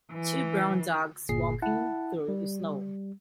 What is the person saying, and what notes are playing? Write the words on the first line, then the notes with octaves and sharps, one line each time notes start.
Two brown dogs walking through snow.
E3
G1 A#2 G#4 C7
E4 F#5 A5
G3